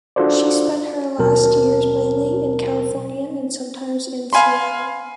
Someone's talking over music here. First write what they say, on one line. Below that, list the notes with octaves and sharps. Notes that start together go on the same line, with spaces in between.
She spent her last years mainly in California, and sometimes in Seattle.
D4 F4 F#4 A4 C5 D5
D#2 B2 F#3 A#4 A5
F5 G#5 B5 C6